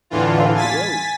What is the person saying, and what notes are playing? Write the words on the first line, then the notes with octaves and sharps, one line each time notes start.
Oh, really?
E2 A2 D3 E3 F4
G#5 A6 B6